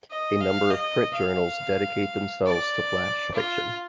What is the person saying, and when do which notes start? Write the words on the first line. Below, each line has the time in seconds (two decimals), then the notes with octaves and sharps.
A number of print journals dedicate themselves to flash fiction.
0.11 D#5
0.41 F5
0.70 D#5
1.14 F5
2.46 D5
3.34 F4